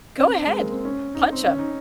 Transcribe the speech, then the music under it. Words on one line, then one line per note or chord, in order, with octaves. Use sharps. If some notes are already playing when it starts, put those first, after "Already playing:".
go ahead, punch him,
C#4
C4
G#3
A#3
C4
C#4
D#4
C4
C#4
D#4